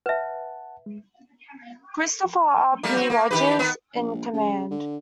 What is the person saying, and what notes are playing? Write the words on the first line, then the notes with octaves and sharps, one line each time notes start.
Christopher R. P. Rodgers in command.
B4 E5 F#5 A5
G#3
G3 A3 A#3
C4 F#4
A#3
D#3 G4 B4
D#3 B3
A#1
C#3
D3